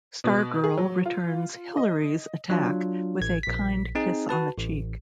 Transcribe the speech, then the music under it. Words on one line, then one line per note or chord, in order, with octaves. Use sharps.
Stargirl returns Hillari's attack with a kind kiss on the cheek.
B2
G#4
F#3
F4
D#5
F#3 D4 F4
A1 G#6
A#1 B6
C4 D#4 G#4
F#4 B4 A5
A1